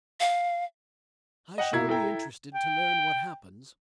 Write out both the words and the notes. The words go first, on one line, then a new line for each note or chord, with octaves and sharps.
"I shall be interested to learn what happens."
F5
D#5 F#5 G5
B2 E4 A#5 G#6
E4 A4 G5 A#5
G5